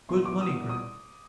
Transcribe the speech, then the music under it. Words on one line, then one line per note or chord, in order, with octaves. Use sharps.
Good money, Gregg.
A#2 G3 B3 E4 C6
D6
A#2 G3 B3 E4 D#6
D#6